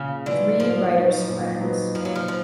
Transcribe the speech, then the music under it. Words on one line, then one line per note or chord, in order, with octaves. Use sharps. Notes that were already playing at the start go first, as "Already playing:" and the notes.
Three writers friends.
Already playing: A#2 C#3
D3 F#3 B3 D#4
A#2 F3
F#3 B3 D#4
A#2
F#3 B3 D#4
A#2 F3
F#3
F3
F3